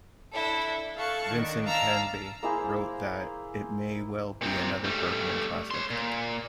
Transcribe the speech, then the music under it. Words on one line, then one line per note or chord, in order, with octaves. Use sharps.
Vincent Canby wrote that it may well be another Bergman classic.
D4 E4 A4
A4 F5 A5 C#6 F#6
D#3 D4
F5 A5 A#5 E6
A#3 E4 G#4 C5
A#2 C4
G3 A3
C#5 C6
A#2